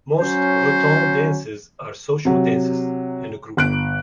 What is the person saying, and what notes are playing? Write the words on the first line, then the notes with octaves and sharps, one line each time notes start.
Most Breton dances are social dances, in a group.
F#3 C#4 C5
C3 F#3
G1 F#6 D7